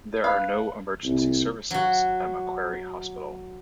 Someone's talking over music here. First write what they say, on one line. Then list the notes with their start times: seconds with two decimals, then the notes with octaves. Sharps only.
There are no emergency services at Macquarie Hospital.
0.24 B4 F5
1.04 C2
1.70 F#3 F#4